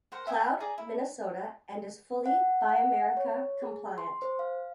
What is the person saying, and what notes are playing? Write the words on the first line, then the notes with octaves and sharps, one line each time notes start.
Cloud, Minnesota, and is fully "Buy America" compliant.
A#4 C5 F#5
E5 G5 G#5 D#6
G#4 D5 G#5 A#5
E4
F#5
F#5
C#5
G#4
C6
C5
F5